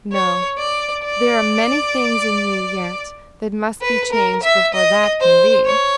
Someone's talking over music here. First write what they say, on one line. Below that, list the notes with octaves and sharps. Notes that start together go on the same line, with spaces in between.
No; there are many things in you yet that must be changed before that can be.
C#5
D5
D5
B4
A#4
E5
D#5
C5
C#5